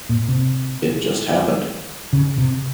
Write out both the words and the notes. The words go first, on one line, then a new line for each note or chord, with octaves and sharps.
It just happened.
A#2
C3
C#3
C3